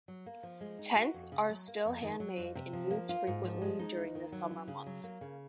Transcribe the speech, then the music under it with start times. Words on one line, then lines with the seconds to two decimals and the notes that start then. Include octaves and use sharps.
Tents are still hand made and used frequently during the summer months.
0.08 F#3
0.26 A#3
0.43 F3
0.61 G#3
0.79 D#4
0.96 F#4
1.14 F2
1.32 C#3
1.49 F#3
1.68 A#3
1.86 F2
2.02 D#3
2.20 F#3
2.38 F2
2.55 C3
2.73 F3
2.91 A#3
3.09 F4
3.27 G#2
3.44 F3
3.62 G#3
3.79 D#4
3.97 D#2
4.15 D#3
4.32 F#3
4.51 C#4
4.68 C#3
4.86 F#3
5.04 A#3
5.21 C#3